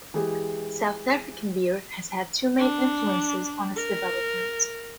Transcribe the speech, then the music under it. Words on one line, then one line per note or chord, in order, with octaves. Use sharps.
South African beer has had two main influences on its development.
E3 G#3 G4 G#4
D4
A#4